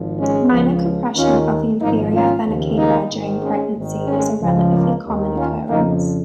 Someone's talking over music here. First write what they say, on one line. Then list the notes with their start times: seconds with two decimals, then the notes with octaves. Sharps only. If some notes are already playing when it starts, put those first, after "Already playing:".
Minor compression of the inferior vena cava during pregnancy is a relatively common occurrence.
Already playing: G#1 G#2 F3
0.18 G#3 C#4
0.51 C#2 C#3 F3
1.16 D#2 D#3 C#4 F4
1.81 G#1 G#2 F3 A#3 D#4
2.13 C#4 F4
2.45 D#2 C#3 F3
2.77 A#3 D#4
3.10 G#1 G#2 D#3
3.42 G#3 C#4
3.75 G#1 G#2 D#3
4.07 G#3 C#4
4.40 C#2 C#3 F3
4.72 A#3
5.04 D#2 D#3
5.37 C#4 F4
5.69 F2 C#3 F3 A#3 D#4